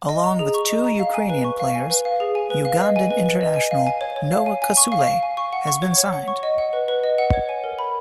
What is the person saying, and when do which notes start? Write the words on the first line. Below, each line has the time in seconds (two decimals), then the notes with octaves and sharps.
Along with two Ukrainian players, Ugandan international, Noah Kasule, has been signed.
0.09 D#5
0.24 A#5
0.39 G#4
0.54 C#6
0.69 D#5
0.84 A#5
0.99 F5
1.14 G#5
1.30 B4
1.44 C#6
1.60 F5
1.75 G#5
1.90 B4
2.05 F5
2.20 G#4
2.35 G#5
2.50 B4
2.65 F5
2.81 D#5
2.96 G#5
3.11 B4
3.26 B4
3.41 D#5
3.56 G#5
3.71 F5
3.87 G#5
4.01 C#5
4.16 C#5
4.31 F5
4.46 G#5
4.62 G#5
4.77 C#6
4.92 F5
5.07 F5
5.23 G#5
5.37 C#6
5.53 F#5
5.67 C#6
5.82 C#5
5.98 C#5
6.13 F#5
6.28 C#6
6.43 D#5
6.58 F#5
6.73 B4
6.88 B4
7.04 D#5
7.18 F#5
7.33 C#5
7.49 G#5
7.64 A#4
7.79 B5